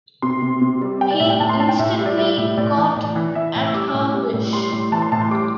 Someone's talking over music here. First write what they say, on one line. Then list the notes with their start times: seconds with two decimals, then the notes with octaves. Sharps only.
He instantly caught at her wish.
0.22 C3 C6
0.42 C3
0.61 C3
0.81 G3
1.01 G3 G5
1.11 D5
1.20 A2 E5
1.30 G5
1.40 A2 A5
1.49 C6
1.59 A2 A5
1.69 G5
1.79 A2 E5
1.99 G3
2.06 D5
2.18 G3 E5
2.38 A2
2.57 A2 D5
2.77 E3
2.96 A2
3.16 E3
3.35 E3 E5
3.55 A2
3.67 E6
3.74 G3 D6
3.94 A2
4.14 G3
4.33 A2
4.53 G3 C6
4.73 A2
4.92 E3 A5
5.02 C6
5.12 A2 A5
5.22 C6
5.31 G3 D6